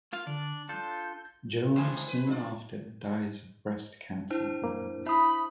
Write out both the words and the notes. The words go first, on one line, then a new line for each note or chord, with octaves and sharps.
Joan soon after dies of breast cancer.
A#3 F4 F5
D3 D4 D5
D4 F4 A4 G6
G#2 E3 G3 C5 G#5
B4
D4 F4 D5
D4 E4 C5
F#2 A#2 A#3
E4 E5 B5 D#6